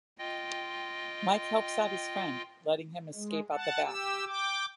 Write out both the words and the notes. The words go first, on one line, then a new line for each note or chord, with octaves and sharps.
Mike helps out his friend, letting him escape out the back.
F4 D#5 G5
G#3
F#5 A5
G4 E6
G5 D6